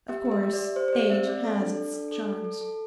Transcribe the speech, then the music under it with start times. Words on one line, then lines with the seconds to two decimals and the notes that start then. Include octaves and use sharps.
Of course, age has its charms.'
0.08 G4 E5
0.25 G4
0.31 E5
0.43 G4
0.53 D5
0.59 G4
0.76 G4 C5
0.88 C5
0.93 G4 D5
1.10 C4 E5
1.27 C4 D5
1.44 A4
1.61 D4
1.78 A4
1.94 D4
2.12 A4
2.28 A4
2.44 A4
2.61 A4